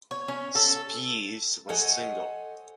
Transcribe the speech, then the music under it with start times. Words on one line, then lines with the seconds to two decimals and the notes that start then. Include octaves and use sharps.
Spiess was single.
0.11 C#5
0.28 C#4
0.55 A4
1.69 A4 C5 C#5 D#5 F#5 G#5